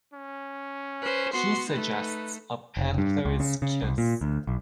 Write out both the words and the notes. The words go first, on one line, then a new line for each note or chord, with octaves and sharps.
He suggests a Panther's Kiss.
C#4
B4 C5
B3 F#4 C6
A3 D#4 B4
F1
G2
C#2
C#3
C#3
C2
A#2
D2
B1